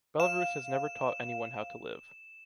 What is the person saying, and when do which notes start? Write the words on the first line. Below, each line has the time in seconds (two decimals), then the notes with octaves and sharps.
Belarus has never taught anyone how to live.
0.20 F5 E7